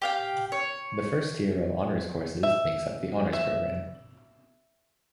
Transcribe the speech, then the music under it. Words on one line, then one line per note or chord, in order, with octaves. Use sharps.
The first tier of Honors courses makes up the Honors Program.
G4 F5 G5
C#5
E5
E5